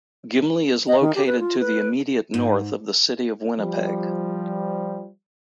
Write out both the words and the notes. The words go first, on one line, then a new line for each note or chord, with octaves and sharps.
Gimli is located to the immediate north of the City of Winnipeg.
D#5
D#3
G4
B4
F4
B4
G#2
F3 G3